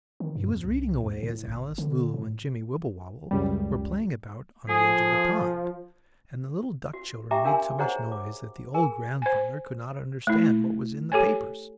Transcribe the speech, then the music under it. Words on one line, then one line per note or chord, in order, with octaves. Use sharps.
He was reading away as Alice, Lulu and Jimmie Wibblewobble were playing about on the edge of the pond, and the little duck children made so much noise that the old grandfather could not understand what was in the papers.
D#3
G2
E2
C2
D#2
A2
G1
D3
A2
C#2 F#2 G3
F3 G#4 A4 G#5 D#6
F#4
G4 E5 G5 A#5 D6
D4 A#4 F5 G#5 C6
F#4 G#4 C5 C#5 F#5 A#5
D6
G#4 A#4 G#5
C5 G#5
A3 E4
G4 A4 C#5 G#5